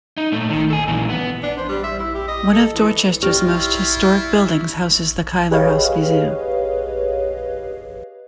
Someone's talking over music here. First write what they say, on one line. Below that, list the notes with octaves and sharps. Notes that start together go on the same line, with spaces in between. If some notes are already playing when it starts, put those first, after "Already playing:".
One of Dorchester's most historic buildings houses the Keillor House Museum.
D#4
A#2 A3
D#3
A4 G#5
A#2 E3
B3
D4
C5
G3
E5
E4
G4
D#5
A4
E3
E4 F4 G4 D5 C#6 F6 A#6
G4 G#4 B4 C#5 D#5 F5